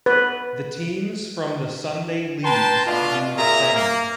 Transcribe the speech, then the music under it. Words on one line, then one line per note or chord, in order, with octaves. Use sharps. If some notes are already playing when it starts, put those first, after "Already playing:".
The teams from the Sunday leagues do the same.
B4
B4 G5 A5 A#5 C6
B2 A3 D4 F4
A#2 G#4 A#4 E5 A#5
A#3